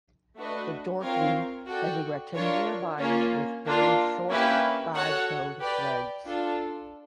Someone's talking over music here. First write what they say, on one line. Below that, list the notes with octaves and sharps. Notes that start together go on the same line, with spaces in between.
The Dorking has a rectangular body with very short, five-toed legs.
A3 D4 F#4 B4 D#5
C4 F4 A#4 C#5 F5
F#4 A4 D5 G5
D4 F4 A#4 C#5 F5
A#3 C#4 F4
A#3 D4 F4
A#3 C#4 E4 G4 B4
F#4 A4 C#5 F#5
G4 B4 D5 G5
D4 F4 A4